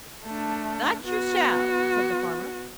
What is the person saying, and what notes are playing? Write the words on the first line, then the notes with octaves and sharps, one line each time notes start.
'That you shall,' said the farmer.
A3 D4
B3 F#4